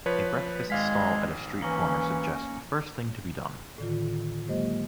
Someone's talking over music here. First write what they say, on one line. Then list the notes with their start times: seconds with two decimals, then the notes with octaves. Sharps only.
A breakfast-stall at a street-corner suggests the first thing to be done.
0.06 F3 B4 C#5
0.70 G#1 G#3 F5 B6
1.62 E3 A#3 C#4
3.78 A2 D3 D#3 F4
4.47 F#3 G#3 A#3 G4 C5 D#5